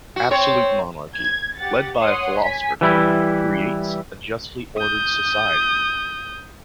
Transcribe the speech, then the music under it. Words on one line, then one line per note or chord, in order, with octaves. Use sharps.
Absolute monarchy, led by a philosopher-king, creates a justly ordered society.
F#4
C4 C#5
G#6
G4 F#5 A6
C#5 F#5 C6 D#6
G#5 B6
E3 G3 E4
D#6 G6